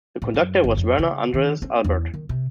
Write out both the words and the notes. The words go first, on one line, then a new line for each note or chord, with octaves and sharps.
The conductor was Werner Andreas Albert.
A2
F#2
G1
F2
C#3
D#3
C4
E2
D#3
C3